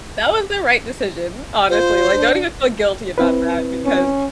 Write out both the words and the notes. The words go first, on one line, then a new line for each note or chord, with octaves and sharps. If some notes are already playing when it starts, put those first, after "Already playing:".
That was the right decision, honestly, like, don't even feel guilty about that because
F4 C5
D4
C4 E4 B4
C#4